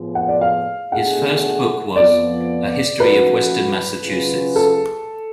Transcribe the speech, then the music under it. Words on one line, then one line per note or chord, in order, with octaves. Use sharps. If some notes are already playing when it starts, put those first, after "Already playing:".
His first book was a "History of Western Massachusetts".
Already playing: A2 F3 B3 F4 G#4
F#5
D5
F5
B2 A3 D4 G#4 F#5
F2 F3 B3 D5
F3 A3 C#4 F#4 B4
C#3 F#3 C#4 F4 G#4
A4